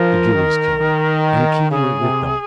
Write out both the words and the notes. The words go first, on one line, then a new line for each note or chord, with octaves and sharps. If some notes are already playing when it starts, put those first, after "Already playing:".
The gillies came, and the king went with them.
Already playing: F3 A#4
D#3
D#3
C#3 G#4
C3